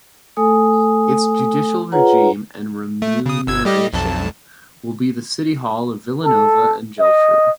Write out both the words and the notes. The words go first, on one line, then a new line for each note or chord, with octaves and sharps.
Its judicial regime and remuneration will be the City hall of Vilanova and Geltrú.
A3 A4 G#5 D#6
F4 G#4 B4 C#5 F#5 A#5
A3
C#3 D#6
G1 E6 G#6
G3 G4 D#5
B1 F2 A5
A4
D#5